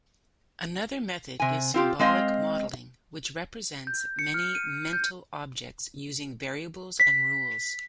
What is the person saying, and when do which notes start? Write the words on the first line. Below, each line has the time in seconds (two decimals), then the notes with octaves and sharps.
Another method is symbolic modeling, which represents many mental objects using variables and rules.
1.40 C3 G#5
1.74 C4 F4 G4
1.99 G#3 C4 D#5 F5
3.87 G6
4.19 C#7
4.34 F6
4.55 D#7
4.93 G6
7.00 B6